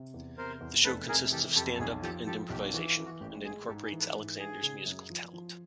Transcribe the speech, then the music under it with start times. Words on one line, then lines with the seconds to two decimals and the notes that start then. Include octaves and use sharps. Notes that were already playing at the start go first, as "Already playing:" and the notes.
The show consists of stand-up and improvisation and incorporates Alexander's musical talent.
Already playing: C3
0.14 E2
0.38 C3 A#4 C5
0.61 E2
0.85 F1 A4 B4
1.08 C3 G#4 A#4
1.31 E3 G4 A4
1.55 F2 G4 A4
1.74 A4
1.79 B1 G#4
2.02 F3 G4 A4
2.26 F3 G4 A4
2.50 B1 G4
2.74 E3 F#4
2.89 F4
2.97 E3
3.05 F#4
3.20 A1 G4
3.45 G#3 G#4
3.68 G#2 G4 A4
3.83 G#4
3.92 E3
3.99 A4 B4
4.15 G#2
4.39 G#3 G#4
4.63 C#3
4.86 F#2
5.10 F3
5.33 F3